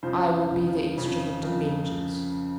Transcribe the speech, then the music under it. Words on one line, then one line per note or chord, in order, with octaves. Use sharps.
"I will be the instrument of vengeance."
F2 C#3 F3 C5
F2 C#3 F3
F2 C#3 F3
F2 C#3 F3 A#4